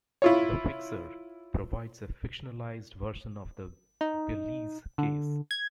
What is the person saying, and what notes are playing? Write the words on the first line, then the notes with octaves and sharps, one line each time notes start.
"The Fixer" provides a fictionalized version of the Beilis case.
E4 F4 C#5
D#4
D3
G#6